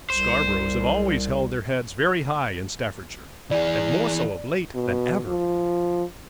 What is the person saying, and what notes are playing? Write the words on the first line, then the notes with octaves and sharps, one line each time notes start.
The Scarboroughs have always held their heads very high in Staffordshire, and more so of late than ever.
C2 C5
E3 G#4 D5
B2
F3